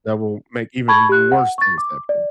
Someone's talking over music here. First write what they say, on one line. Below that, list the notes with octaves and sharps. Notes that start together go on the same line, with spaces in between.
that will make even worse things happen
A5 B5 C#6 G#6
G4 F#6
F#5
C#6 A6
D6
D5